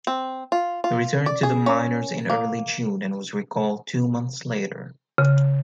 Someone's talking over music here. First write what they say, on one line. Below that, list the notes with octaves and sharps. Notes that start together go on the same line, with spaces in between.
He returned to the minors in early June and was recalled two months later.
C4
F4
F4
D5
G#4
C#4
A#3
C#3